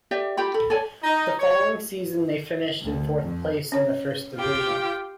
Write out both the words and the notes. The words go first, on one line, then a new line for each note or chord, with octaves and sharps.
The following season they finished in fourth place in the First Division.
G4 D5 E5
F4 G4 G5 B5
A4 B5
A4 C#5 D5 G#5
D#4
C#5
D2
F2
C#4 C#5
F4 G4 G5